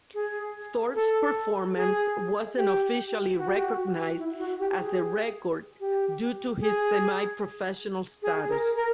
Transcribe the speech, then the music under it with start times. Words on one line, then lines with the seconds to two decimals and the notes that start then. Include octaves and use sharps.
Thorpe's performance wasn't officially recognized as a record due to his semi-professional status.
0.14 G#4
0.95 A4
1.76 G#4
2.57 G4
3.37 F#4
3.48 G4
3.58 F#4
4.18 E4
4.38 F#4
4.59 G4
4.79 G#4
5.80 G4
6.60 G#4
8.22 G#4
8.49 A#4
8.76 A#4